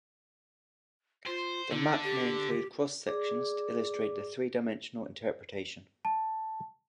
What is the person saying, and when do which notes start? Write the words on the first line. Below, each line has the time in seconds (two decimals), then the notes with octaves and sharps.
The map may include cross sections to illustrate the three-dimensional interpretation.
1.26 F4 C5
1.71 D3 D#4
2.03 G4
3.07 G#4 D5 D6
6.05 A5